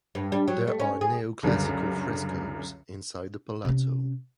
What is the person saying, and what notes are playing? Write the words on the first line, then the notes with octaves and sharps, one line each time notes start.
There are neoclassical frescoes inside the palazzo.
G2
G3
F#3
A3
C#4
G#4
C#2 F#2 D3 G3
C3 C#4